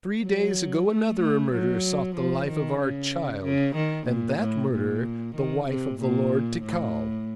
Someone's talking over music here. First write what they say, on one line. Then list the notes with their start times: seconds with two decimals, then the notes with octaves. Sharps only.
Three days ago another murderer sought the life of our child, and that murderer the wife of the Lord Tikal.
0.24 F#3
0.89 A3
1.20 A3
1.53 F#3
2.16 F3
2.48 D#3
2.80 C#3
3.44 C#3
3.76 D#3
4.07 A#2
4.40 A2
4.72 A#2
5.36 D#3
5.68 C3
5.99 A#2
6.63 A2